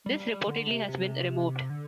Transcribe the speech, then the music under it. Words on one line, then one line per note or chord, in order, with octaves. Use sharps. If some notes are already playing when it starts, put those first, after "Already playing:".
This reportedly has been removed.
G3
G3
G3
D3
C3
C3
D3